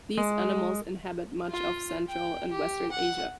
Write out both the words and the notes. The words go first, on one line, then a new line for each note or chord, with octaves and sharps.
These animals inhabit much of central and western Asia.
G#3
F4
G5
G4
F#5